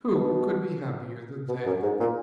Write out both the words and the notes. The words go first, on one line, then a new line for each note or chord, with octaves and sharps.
Who could be happier than they?
B2
B2
F#2
G#2
A#2